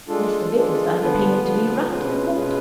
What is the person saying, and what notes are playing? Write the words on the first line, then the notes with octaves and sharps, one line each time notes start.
Mr Bickersdyke appeared to be wrapped in thought.
G#3 D4 F4 A4
G#3 D4 F4 A4
D3 F3 B3 F4 B4
D3 F3 B3 F4 B4
B2 G#3 C#4 F4 B4
B2 G#3 C#4 F4 B4